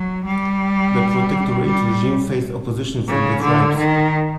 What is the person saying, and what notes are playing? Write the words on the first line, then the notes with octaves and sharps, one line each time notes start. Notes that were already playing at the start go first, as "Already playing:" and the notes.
The protectorate regime faced opposition from the tribes.
Already playing: F#3
G3
G3
C#3
D3
D#3